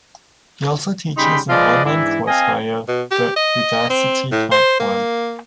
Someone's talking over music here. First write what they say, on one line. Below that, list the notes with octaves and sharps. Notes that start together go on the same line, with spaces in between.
He also teaches an online course via the Udacity platform.
C#3 G3 D#4 G4 B5 C6
F3 G#3 F4 B4 D5 D#5
G#2 E3 D4 E4
C4 A4 D#5 F5 G#5
B2
G4
D#5
C4
A2
C5
A#3